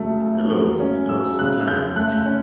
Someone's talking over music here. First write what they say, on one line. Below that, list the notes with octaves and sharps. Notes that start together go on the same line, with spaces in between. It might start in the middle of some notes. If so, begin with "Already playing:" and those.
Hello, you know, sometimes,
Already playing: C#3 F#3 A3
A3
F#3
C#4
F#3 E6
C#3 F#6
C#3 G6
A3 F#6
C#4